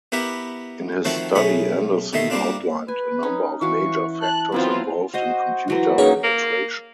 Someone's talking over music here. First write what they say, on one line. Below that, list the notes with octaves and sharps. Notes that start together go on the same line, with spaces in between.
In his study, Anderson outlined a number of major factors involved in computer penetration.
B3 E4 G4 A#4 B4 E5
D#3 F3 A3 C4 F#4 A4
B1 B2 A3 C#4 G#4 B5
B2 D#3 A3 D#5 E5 C6
G3 A#3 C4 D4 F4
B4 G#5
C#4 D#4
E3 F#4 F5 C#6
A5 F#6
F#3 B3 C4 E4 F4 B4
F#4 C5 D#5
E3 F#3 F#4
A#3 C#4 D#4 G#4 B4 C#5
A#3